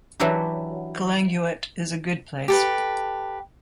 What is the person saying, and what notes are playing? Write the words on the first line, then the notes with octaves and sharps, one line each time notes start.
Calanguate is a good place.
E3 F#3 D4 E4 F#4 G4
G4 A4 B4